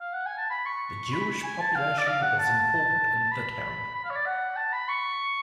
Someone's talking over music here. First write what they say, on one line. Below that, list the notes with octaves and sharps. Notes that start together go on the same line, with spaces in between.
The Jewish population was important in the town.
F5
F#5
G#5
A5
B5
C#6
B5
G#5
A5
F5
D5
F5
F#5
A5
B5
B5
F5
C#5
D5
F#5
A5
B5
C#6